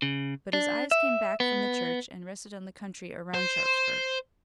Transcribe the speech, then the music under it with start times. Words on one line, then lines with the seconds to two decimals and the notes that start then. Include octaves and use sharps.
But his eyes came back from the church and rested on the country around Sharpsburg.
0.02 C#3
0.53 D4
0.91 E5
1.40 B3
3.34 C5